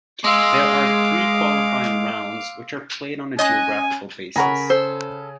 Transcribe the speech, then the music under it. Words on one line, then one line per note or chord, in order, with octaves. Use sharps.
There are three Qualifying rounds, which are played on a geographical basis.
G#3 F5 C6 D6 E6
C#4 D#5 G#5 D#6 F#6
C#3 A#4 C#5 F#5 G#5 A#5 B5
A4 C5 E6